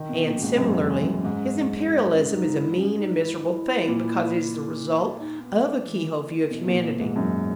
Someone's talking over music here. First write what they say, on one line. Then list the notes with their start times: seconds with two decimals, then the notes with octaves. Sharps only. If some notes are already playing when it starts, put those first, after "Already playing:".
And, similarly, his Imperialism is a mean and miserable thing because it is the result of a keyhole view of humanity.
Already playing: D#3
0.09 B2
0.15 D#4
0.26 A#2
0.36 C#4
0.42 G#2
0.58 F#2
0.80 E2
1.02 F#2
1.25 G#2
1.90 C#4
2.11 C#4
2.34 D#4
2.55 E4
2.78 C#4
2.99 D#4
3.21 E4
3.88 A#2
5.19 D#4
5.40 B3
5.84 E3
6.18 E3
6.50 B2 E3
6.67 A#2
6.84 A#2
7.00 G#2
7.16 F#2 E3
7.32 F#3